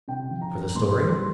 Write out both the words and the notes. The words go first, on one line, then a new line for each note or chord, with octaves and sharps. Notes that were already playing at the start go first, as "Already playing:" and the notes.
For the story?
C3 G5
F3
A#5
F3
A#2 C6
G3
C6